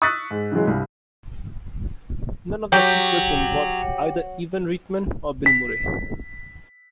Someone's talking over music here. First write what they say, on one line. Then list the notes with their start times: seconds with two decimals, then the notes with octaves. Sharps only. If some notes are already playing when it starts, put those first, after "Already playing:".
None of the sequels involved either Ivan Reitman or Bill Murray.
0.02 C#6 D#6 E6 F#6 A6 B6
0.31 G#2
0.52 C#3 E3 F#3 G#3
0.67 C2 G2
2.72 F#3 G4 G5
5.46 B6